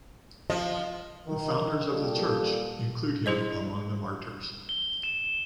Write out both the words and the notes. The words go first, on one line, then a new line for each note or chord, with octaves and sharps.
The founders of the Church include him among the martyrs.
F3 D#5
D#3
A#2 G3 G4 A4
E4 G#4 C5 D#5
G7
E7